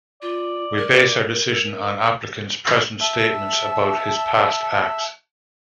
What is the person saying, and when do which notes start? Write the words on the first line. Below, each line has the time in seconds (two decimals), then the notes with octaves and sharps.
We base our decision on applicant's present statements about his past acts.
0.22 F4 D5
0.78 A#4
3.01 E5 A5